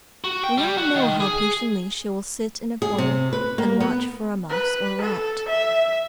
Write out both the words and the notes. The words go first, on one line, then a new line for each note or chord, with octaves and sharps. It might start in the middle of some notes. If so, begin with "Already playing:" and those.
We all know how patiently she will sit in a corner, and watch for a mouse or rat.
F#4
G5
G3
F#4
D#3
G#4
G#4
C3
B4
A#3
B3
B4
A4
E5